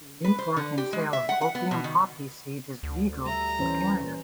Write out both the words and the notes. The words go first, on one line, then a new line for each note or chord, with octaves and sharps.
The import and sale of opium poppy seeds is legal in Canada.
B4
C5
D3
G4
G#3
E5
F#5
F#5
B3
B2
D#3
D2
G3 E5 A#5
E3 C#4 C5